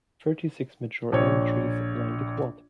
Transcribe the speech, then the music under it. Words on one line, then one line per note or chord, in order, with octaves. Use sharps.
Thirty-six mature elm trees line the Quad.
A#1 C#5